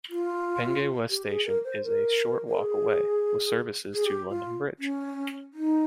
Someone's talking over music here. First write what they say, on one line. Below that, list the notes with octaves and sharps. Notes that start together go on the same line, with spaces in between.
Penge West station is a short walk away, with services to London Bridge.
F4
G4
G#4
A#4
C5
A#4
A#4
G#4
G#4
G4
F4
C#4
D#4